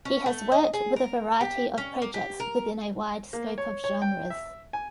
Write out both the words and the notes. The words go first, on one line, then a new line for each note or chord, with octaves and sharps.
He has worked with a variety of projects within a wide scope of genres.
C#4
A3
D#5
G#4
A#4
G4
C#4
A#3
G4
A#4
A#3
C#5
C#5
G5
E5
G#5